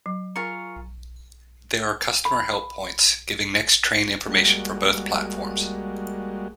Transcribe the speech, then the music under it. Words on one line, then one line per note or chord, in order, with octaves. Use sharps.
There are customer help points, giving next train information for both platforms.
F#3
F4 G#4 A#4 C#6
B5
G3 G#3 A#3 F#4